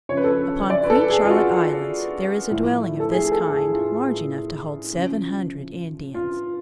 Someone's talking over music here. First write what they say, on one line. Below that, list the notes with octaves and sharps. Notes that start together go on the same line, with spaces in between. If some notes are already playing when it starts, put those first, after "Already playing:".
Upon Queen Charlotte Islands there is a dwelling of this kind large enough to hold seven hundred Indians.
C#3 F3 C#5
B4
A4
B4
D5
B4
A4
G#4
F4
F#4
A2 F3
A4
G#4
A4
G#4
F4
C#3 F3
F4